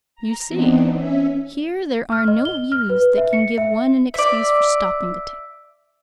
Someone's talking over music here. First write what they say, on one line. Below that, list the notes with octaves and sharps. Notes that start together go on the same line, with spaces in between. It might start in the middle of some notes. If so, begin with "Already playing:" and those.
You see, here there are no views that can give one an excuse for stopping to take breath.
A#5
E3 B3 C4 D4 D#4
C#4 E5
F6
D#5
G7
F6
B4
E5
C#7
E5
D5 E5